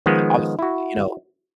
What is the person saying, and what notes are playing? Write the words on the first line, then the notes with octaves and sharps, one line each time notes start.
but obviously, you know,
D#3 F3 G#3 B3
E4 F#4